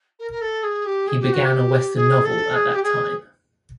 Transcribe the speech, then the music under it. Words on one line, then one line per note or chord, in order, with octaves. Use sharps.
He began a western novel at that time.
A#4
A#4
A4
G#4
G4
G#4
G4
F#4
G4
G#4
A4
G#4
G4
G#4